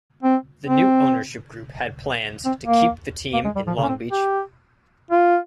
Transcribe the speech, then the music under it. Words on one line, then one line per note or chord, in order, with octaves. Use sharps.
The new ownership group had plans to keep the team in Long Beach.
C4
C4
C4
A#3
A#3
G#3
G3
F3
C#3
C#4
C4
G4
F4